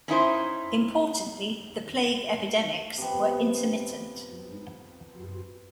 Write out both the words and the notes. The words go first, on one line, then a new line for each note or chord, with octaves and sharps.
Importantly, the plague epidemics were intermittent.
C#4 D#4 E4 C5
C3 F3 B3